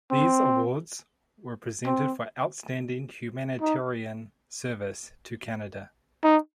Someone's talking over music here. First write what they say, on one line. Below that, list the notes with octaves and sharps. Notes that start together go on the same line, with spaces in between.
These awards were presented for outstanding humanitarian service to Canada.
C4
C4
D#4
D#4